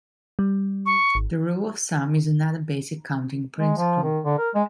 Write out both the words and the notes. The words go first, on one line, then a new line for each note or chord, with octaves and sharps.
The rule of sum is another basic counting principle.
G3
C#6
G#1
G#3
F3
D#3
D3
A#4
G#3